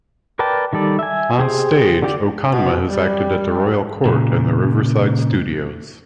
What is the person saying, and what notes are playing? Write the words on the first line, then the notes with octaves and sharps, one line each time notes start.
On stage, Okonma has acted at the Royal Court and the Riverside Studios.
A#4 B4 D5 G5 A5
D#3 G3 A4 D5
E5 G#5
G4 G#4 C5
D3 G4 D5
B2
G3
A#2 C#3